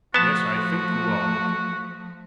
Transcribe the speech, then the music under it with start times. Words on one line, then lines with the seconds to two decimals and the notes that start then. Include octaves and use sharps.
'Yes, I think you are.
0.14 F3 A3 B3 F#4 A5